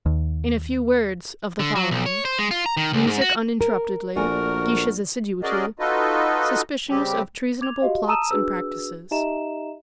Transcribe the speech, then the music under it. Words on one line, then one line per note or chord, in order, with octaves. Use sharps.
"In a few words, of the following: music uninterruptedly; Guiche's assiduity; suspicions of treasonable plots and practices."
D#2
D3
F#3
B1
C#5
C5
G#3
F4
A#5
D#3
C#2
G#2
F#4
A#4
A#1 A3 F#4 A#4 D5 G#5
C#4 F#4 G#4 A#4 D5 D#5
D#4 F4 F#4 A4 B4 D#5
C#3 G3 C4 G4
D6 G#6 F7
F#4 G4 D#5 F5
A5 A#5 D#6 E6 D#7 E7
D4 F#4 G#4 B4 E6
D#4 G4 D#5 E5 A#5 E7